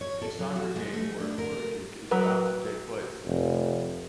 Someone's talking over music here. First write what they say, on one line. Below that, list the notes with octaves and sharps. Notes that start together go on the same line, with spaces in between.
A soccer game where a corner kick is about to take place.
C#5
A4
F#3
F#4
G#3
A3
D4
A#4
F#3 A#4 B4
F1